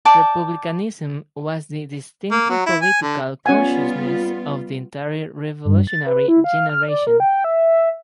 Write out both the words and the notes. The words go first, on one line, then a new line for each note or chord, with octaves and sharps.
Republicanism was the distinctive political consciousness of the entire Revolutionary generation.
D5 G5 A5 D6
A#3
F#3
E4
G#5
D3
G3 B3 C#4 F4 F#5 G#5
G2
A6
B4
E4
F5
F6
D5
A#4
G5
E5